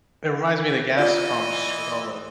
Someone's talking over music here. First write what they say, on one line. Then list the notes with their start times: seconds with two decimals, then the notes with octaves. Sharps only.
it reminds me of the gas pumps, with all the
0.97 E3 F4 D5 D#5